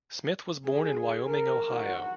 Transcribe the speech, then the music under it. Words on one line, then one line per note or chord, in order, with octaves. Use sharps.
Smith was born in Wyoming, Ohio.
G#4
A#4
F#4